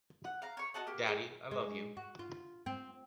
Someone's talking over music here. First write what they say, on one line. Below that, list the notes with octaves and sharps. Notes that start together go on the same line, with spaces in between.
Daddy, I love you.
F#5
F5 A#5
C#5 C#6
F#4 D#5 A5 F#6
A#3 G4
G#4
G#3
F#4
F4
C4